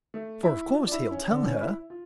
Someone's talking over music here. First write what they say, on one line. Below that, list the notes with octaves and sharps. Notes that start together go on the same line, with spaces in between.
For of course he'll tell her.
A3
E4
F4
D4
E4
C#4
D3
C#4
E4
F4